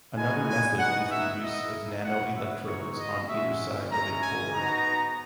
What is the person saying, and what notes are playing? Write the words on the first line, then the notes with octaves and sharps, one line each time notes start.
Another method is the use of nanoelectrodes on either side of a pore.
G#3 B3 D#4 F#4 G#5
G#5
B3 D#4 F#4 F#5
E5
A#3 E4 D#5
B3 F#4 F#5
E5
G#3 D#4 F#4 C#5
D#5
G#3 C#4 F#4 E5
G#3 C#4 E4 A#5
G#5
B3 D#4 F#4 A#5